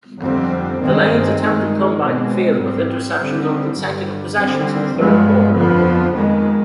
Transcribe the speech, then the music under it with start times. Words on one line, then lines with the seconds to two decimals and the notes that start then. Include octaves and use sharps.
The Lions attempted comeback failed with interceptions on consecutive possessions in the third quarter.
0.21 F2 D3 G3 C4
0.81 G2 D#3 G#3 C4
1.40 G2 D#3 G#3
1.99 B2 G#3 C4
2.59 G#2 G3 C4
3.18 D3 G3 C4
3.77 G2 D3 G3
4.36 D3 G3 C4
4.96 G2 F3 G#3 B3
5.55 F2 D3 F3 B3
6.14 F2 D#3 G#3 B3